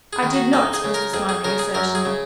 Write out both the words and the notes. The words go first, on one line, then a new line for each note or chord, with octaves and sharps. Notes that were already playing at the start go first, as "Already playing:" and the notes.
"I did not," was the smiling assertion.
G#4
D#3
F#4
F2 D#4
G#4
C#3
A#4
F2 G#4
G#4
C#3 A#4
G#4
F#2 A#4
G#4
C#3